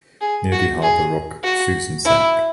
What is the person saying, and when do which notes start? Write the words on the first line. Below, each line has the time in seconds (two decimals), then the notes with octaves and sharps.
Near the Harbour Rock "Susan" sank.
0.21 G#4
0.52 F#4
0.82 G#4
1.43 F#4
2.05 E4